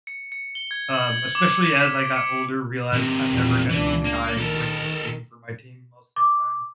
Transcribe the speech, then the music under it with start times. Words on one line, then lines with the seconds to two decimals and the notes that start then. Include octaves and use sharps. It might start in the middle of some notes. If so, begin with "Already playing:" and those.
um, especially as I got older, realized I'm never gonna be the guy winning the game for my team most of the time.
0.07 C#7
0.32 C#7
0.55 G7
0.71 G#6
0.93 F#7
1.09 G#6
1.35 D6
1.55 C#7
1.79 B6
2.01 D7
2.16 C#7
2.93 C3 D#3
3.29 E2 A#2
3.70 C#2 E3 D4
4.05 A#3
4.38 D#3 A4 A#4
6.16 D6